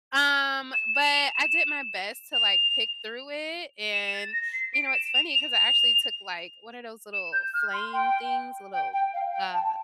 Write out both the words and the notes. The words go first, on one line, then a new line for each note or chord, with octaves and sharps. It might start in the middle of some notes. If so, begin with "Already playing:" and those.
Um, but I did my best to, like, pick through it, and, you know, it's funny 'cause I actually took, like, what are those little flame things, little, uh,
E7
E7
F7
E7
F7
E7
A6
A#6
C7
D7
E7
F7
F7
F7
E7
G6
F6
C6
G5
G5
G5
F5
G5
A5